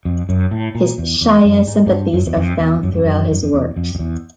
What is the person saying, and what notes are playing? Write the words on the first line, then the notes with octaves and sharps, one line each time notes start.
His Shia sympathies are found throughout his works.
F2
F#2
A2
A#2
E2
E2
F#2
G#2
G#2
G2
F#2
E2
F2
E2
F#2
F2
F#2
F#2
F2
E2
F2
F2
E2